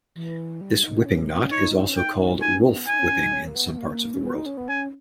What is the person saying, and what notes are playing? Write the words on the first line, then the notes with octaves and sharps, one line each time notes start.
This whipping knot is also called 'wolf' whipping in some parts of the world.
E3
G3
D#4
C#4
G#3
A#3
B3
C#4
D#4 C#5
C#4
D#4 G5
D#4 G#5
C#4
D#4
B3
D#4 G#5
C#4
C#4
D#4
C#4
A#3
B3
B3
A#3
C#4
B3
D#4
C#4
B3
C#4 G#5